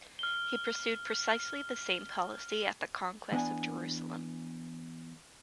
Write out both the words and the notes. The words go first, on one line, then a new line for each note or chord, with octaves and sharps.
He pursued precisely the same policy at the conquest of Jerusalem.
F6 G7
E3 B3 D4 F#5 G#5